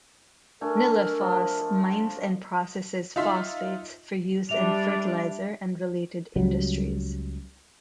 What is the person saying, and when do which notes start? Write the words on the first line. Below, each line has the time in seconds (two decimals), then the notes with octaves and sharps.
Nilefos mines and processes phosphates for use in fertilizer and related industries.
0.61 A3 D4 A#4 G#5
1.21 F3
3.16 D#4 F4 E5 C6
4.49 G3 D4 D5 E5 F7
6.36 C#2 F#3 G3